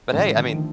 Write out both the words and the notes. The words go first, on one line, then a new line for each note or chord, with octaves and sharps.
but, hey, I mean,
A2 D#3 F3 G#3 C#4
D3
D3 D#3 F3 A3